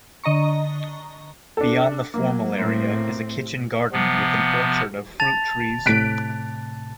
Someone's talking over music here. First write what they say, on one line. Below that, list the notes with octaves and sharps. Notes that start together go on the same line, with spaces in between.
Beyond the formal area is a kitchen garden with an orchard of fruit trees.
D3 D#5 A#5 C#6
D4 A4
F#3 A#3
A2 C4
C3 F3 B3
A5 A6 F7
A2 C3 F#6 B6 D7